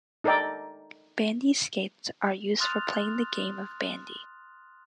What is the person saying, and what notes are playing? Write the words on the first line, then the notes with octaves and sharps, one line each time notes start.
Bandy skates are used for playing the game of bandy.
D#4 A4 A#4 D5 G5
C6 D#6 F6 F#6 A6 F7